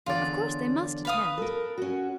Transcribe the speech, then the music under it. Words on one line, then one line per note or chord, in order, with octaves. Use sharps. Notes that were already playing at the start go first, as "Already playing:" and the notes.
Of course they must attend.
E2 D3 F4 C#5 D5
B4 F5 D#6
A4 A#4
C#4 F#4